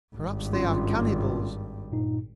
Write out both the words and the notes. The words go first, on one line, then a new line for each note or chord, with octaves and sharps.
Perhaps they are cannibals!
G#1 G2
C#4 F4 C6
G2 A#2 D#4